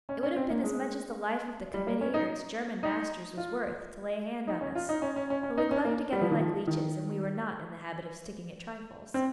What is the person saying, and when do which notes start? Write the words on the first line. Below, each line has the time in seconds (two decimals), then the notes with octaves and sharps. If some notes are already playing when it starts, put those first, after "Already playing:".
It would have been as much as the life of the Committee or its German masters was worth to lay a hand on us, for we clung together like leeches and we were not in the habit of sticking at trifles.
0.09 C#4
0.23 C#4
0.36 C4
0.50 A#3
0.64 G#3
1.74 G3
1.87 A#3
2.01 C#4
2.14 D#4
2.83 D#4
3.38 F4
4.47 D#4
4.61 C#4
4.75 F4
4.89 D#4
5.02 C#4
5.16 C#4
5.30 C#4
5.43 C#4
5.57 D#4
5.71 C#4
5.85 A#3
6.12 G3
6.21 F3
6.31 D#3
6.40 F3
6.67 D#3
9.14 C4